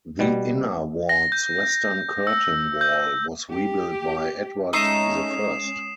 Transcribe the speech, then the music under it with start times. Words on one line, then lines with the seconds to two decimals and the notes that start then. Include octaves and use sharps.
The inner ward's western curtain wall was rebuilt by Edward the First.
0.19 B2 G3
1.09 A#6
1.32 G6
2.27 E6
2.81 G6
3.51 G4
4.73 G#3 A3 C#4 D#4 D#5 D#6 C7 E7